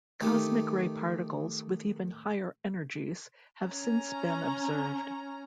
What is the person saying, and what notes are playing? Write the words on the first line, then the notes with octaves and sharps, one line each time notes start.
Cosmic ray particles with even higher energies have since been observed.
D#3 A3 D#4 G4
C#4 A#5